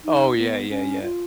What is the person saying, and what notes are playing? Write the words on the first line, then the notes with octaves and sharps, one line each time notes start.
Oh, yeah, yeah, yeah.
D#4
B3
C#4
F4